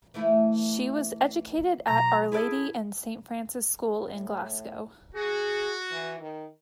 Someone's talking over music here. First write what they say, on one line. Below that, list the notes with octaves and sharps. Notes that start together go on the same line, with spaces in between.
She was educated at Our Lady and Saint Francis School in Glasgow.
E3 A3 E4
B2 F#3 A#5
E4 G#4 A4 D5
A2
F#4 G#4
E3
D#3